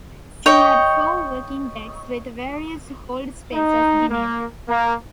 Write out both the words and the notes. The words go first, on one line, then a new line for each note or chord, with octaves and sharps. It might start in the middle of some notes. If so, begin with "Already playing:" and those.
She had four working decks with various hold spaces beneath.
C#5 D#5 G5
D#4
A#3
A#3